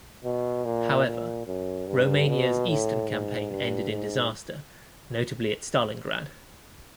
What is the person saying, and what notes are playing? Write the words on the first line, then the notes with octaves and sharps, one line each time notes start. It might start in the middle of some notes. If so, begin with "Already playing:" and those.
However, Romania's eastern campaign ended in disaster, notably at Stalingrad.
B2
A#2
A#2
F#2
G2
B2
A2
G#2
G2
G#2